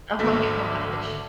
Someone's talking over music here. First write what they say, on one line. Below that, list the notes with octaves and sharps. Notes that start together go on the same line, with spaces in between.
Oh my gosh.
G#1 D2 D3 A3